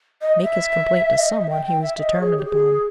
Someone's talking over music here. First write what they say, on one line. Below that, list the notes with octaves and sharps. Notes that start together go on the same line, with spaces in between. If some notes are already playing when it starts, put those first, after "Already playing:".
Make his complaint to some one, he was determined upon.
D#5
E5
D#5
D#5
E5
G5
G5
E5
D#5
C#5
G#4
G4
G#4